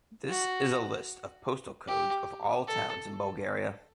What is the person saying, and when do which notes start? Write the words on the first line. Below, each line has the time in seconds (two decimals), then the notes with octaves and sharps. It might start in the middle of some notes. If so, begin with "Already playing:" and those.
This is a list of postal codes of all towns in Bulgaria.
0.29 F#4
1.88 G4
2.67 A4